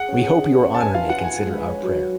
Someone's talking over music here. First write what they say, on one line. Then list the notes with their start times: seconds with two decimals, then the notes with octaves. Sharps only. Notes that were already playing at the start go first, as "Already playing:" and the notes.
We hope your honour may consider our prayer.
Already playing: G#4 F#5
0.08 C#4
0.22 G#4
0.37 G#4
0.51 B4
0.65 C#4
0.74 A5
0.80 B4 G#5
0.95 F4 F5
1.10 F4 F#5
1.24 B4 G#5
1.38 G#3
1.53 B4
1.67 C#5
1.83 F#3
1.97 F#3